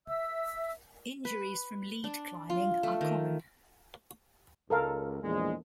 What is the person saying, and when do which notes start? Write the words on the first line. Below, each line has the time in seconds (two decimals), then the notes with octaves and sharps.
Injuries from lead climbing are common.
0.07 E5 E6
1.25 B4
2.04 D4
2.50 F4
2.83 A3
3.01 D#3
4.70 C#2 A4 A#4 F5
5.22 A#1 E2 G#3